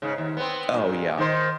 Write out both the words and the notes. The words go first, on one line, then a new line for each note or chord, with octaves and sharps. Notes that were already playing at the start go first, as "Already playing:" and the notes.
Oh, yeah.
G#2 C#3
D#2
B3 C4
G2 A#2
D#3 C5